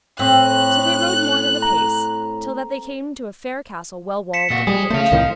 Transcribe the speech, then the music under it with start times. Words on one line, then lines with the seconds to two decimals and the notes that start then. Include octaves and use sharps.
So they rode more than a pace, till that they came to a fair castle well walled and ditched.
0.19 A2 C4 F#6
1.62 A#5
4.33 B6 C#7 E7
4.50 A#2 F#4
4.67 G3 G#4 D#5 D#6
4.90 C#3 A3 C5 F5
5.12 C2 A2 D#3